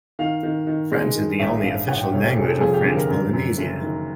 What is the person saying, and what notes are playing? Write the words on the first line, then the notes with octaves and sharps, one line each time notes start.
French is the only official language of French Polynesia.
D#3 F5
D#3
D#3
G#3
D#3
A1 E5
G2 F5
A1 F#5
G5
F1 C#5
G4
F1 G#4
A4
F3 G#4
G4
D3 G#4
A#4
F#2
F#2
F#1 A4
D#3